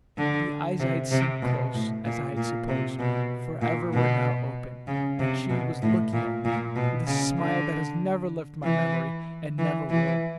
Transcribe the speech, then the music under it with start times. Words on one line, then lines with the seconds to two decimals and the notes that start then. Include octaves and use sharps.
The eyes I had seen close, as I had supposed, forever, were now open, and she was looking at me with a smile that has never left my memory, and never will.
0.17 D3
0.80 C3
1.11 C3
1.42 B2
1.74 A2
2.05 A#2
2.37 A#2
2.68 C3
2.99 B2
3.62 A#2
3.93 B2
4.87 C#3
5.20 C3
5.50 B2
5.82 A2
6.13 A#2
6.45 A#2
6.76 B2
7.07 C#3
7.38 D3
8.64 E3
9.58 E3
9.90 E3